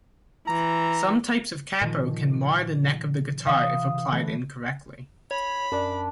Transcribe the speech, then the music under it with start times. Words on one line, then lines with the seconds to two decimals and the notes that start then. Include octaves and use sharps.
Some types of capo can mar the neck of the guitar if applied incorrectly.
0.48 E3 A#5
1.81 A#2 D#3 F3
3.47 C3 E3 F5 D#6
4.12 D3 E3 A3
5.31 C#5 B5
5.72 F#2 D4 D5 A5